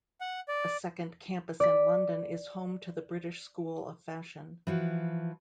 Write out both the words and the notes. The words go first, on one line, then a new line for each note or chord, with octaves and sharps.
A second campus in London is home to the British School of Fashion.
F#5
D5
D5 B6
E3 F3 F#4